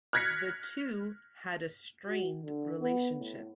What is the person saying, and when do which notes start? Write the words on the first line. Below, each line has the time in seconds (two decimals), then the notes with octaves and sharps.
The two had a strained relationship.
0.13 F6 F#6 G#6 A#6 B6 C#7
2.07 F#4
2.43 D3
2.80 B3
3.19 A2